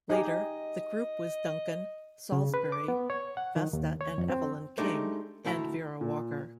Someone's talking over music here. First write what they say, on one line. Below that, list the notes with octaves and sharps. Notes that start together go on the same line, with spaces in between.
Later, the group was Duncan, Saulsberry, Vesta and Evelyn King, and Vera Walker.
D#4 G4 G#4 D#5
C#3
B4
D6
B3
C#5
F#5
D#3
D#2
C#5
F2
C4
G#3 A3 D4 D#4 G4
D2 A3 E4 G#5 A#5
A#2